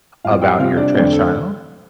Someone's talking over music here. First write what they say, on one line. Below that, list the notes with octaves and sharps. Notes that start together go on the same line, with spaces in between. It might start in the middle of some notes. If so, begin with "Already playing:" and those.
about your trans child?
A2 G3 C4 F4 F5
G4 G5
C3 G3 C4 F4 F5
D4 D5
F2 D3 A3 C4 D4 D5
A4